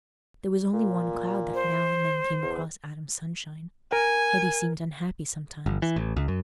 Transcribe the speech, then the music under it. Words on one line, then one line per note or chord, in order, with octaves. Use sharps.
There was only one cloud that now and then came across Adam's sunshine: Hetty seemed unhappy sometimes.
A#2
C5
E2
A#4 G#5
G1
E3
A1
C#2
F#2